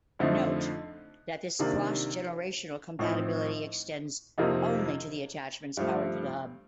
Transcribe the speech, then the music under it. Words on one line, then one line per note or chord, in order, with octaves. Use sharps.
Note that this cross-generational compatibility extends only to attachments powered through the hub.
F2 D3 F3 A3 D#4
C3 D#3 A#3 D4
A2 F3 C4 D#4
F2 C3 F3 A#3 D#4
G2 F3 A3